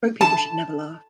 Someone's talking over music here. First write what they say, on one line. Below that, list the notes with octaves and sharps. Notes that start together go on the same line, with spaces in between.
Broke people should never laugh!
A5